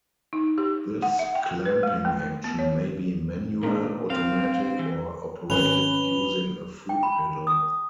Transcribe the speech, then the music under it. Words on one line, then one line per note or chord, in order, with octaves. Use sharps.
This clamping action may be manual, automatic or operated using a foot pedal.
D#4
G4
F#5
E5
G5
B4
G#3
A3
B3
C#5
A#2 D4 D#4 A#4
C4 F5
E3
G#1 C#4 B4 F7 G7
G5
B5
D#6